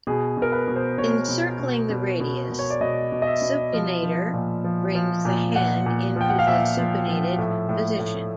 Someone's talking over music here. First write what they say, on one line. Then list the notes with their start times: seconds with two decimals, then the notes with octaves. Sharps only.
Encircling the radius, supinator brings the hand into the supinated position.
0.07 B2 G#4
0.37 B2 A#4
0.52 B4
0.68 B2
0.76 C5
0.98 B2 C#5
1.29 B2
1.59 B2
1.90 B2
2.20 B2
2.50 B2
2.59 C#5
2.70 D5
2.81 B2 D#5
3.12 B2
3.22 D#5
3.27 E5
3.42 B2
3.73 F3
4.03 F3
4.33 A#2
4.64 F3
4.95 F3
5.25 A#2
5.56 A#2 F#5
5.86 A#2
6.16 F3 G5
6.29 F#5
6.39 F5
6.47 A#2 E5
6.77 F3
7.08 F3
7.38 A2
7.69 A2
8.00 A2